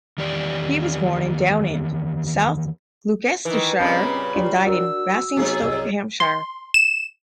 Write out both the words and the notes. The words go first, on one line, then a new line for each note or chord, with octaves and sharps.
He was born in Downend, South Gloucestershire and died in Basingstoke, Hampshire.
E2 D#3 G4 D5
D#3 E3 B4
A#2 C#3 G3 C4 C#4 D#5 B5
D4 F4 G4
D4 F#4 A#4 E6
C3 F#3 B3 D#4 G#4
C2 D#5 E6
C6
E7